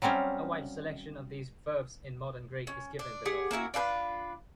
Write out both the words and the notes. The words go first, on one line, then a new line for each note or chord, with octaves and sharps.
A wide selection of these verbs in Modern Greek is given below.
F#3 G3 C4 C#4 F5
C#4
D4
G4 G#4 F#5
A#3 C#4 E4 F#4
D4 F4 A4 B4